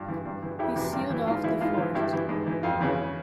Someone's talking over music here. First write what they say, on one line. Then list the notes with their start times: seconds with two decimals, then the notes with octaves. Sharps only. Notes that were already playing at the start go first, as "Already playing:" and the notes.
He sealed off the fort.
Already playing: G2 F4
0.08 E3
0.25 G2
0.43 E3
0.59 F2 E4 G4
0.76 C3 E3
0.93 G2
1.10 E3
1.27 G#2 F4
1.44 E3 E4
1.61 G#2 F4
1.73 E3 F4
1.95 G2 E4 G4
2.13 E3
2.29 G#2
2.47 E3
2.63 F2 F4
2.81 C#3 E3